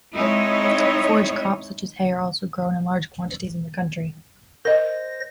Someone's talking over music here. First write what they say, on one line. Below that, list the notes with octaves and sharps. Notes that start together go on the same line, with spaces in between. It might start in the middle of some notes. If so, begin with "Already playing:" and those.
Forage crops such as hay are also grown in large quantities in the county.
G#3 C4 D#4 E4 C#5 D#5
A#4 C5 D#5 A#6